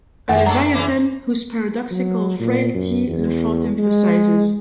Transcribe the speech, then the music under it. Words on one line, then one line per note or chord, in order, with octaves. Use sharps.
A Leviathan whose paradoxical frailty Lefort emphasises.
F#2 D#3
F#3 D4 A4 A#5
C#3 E3 A#3
F#3
A#2
F#2
E2
G#3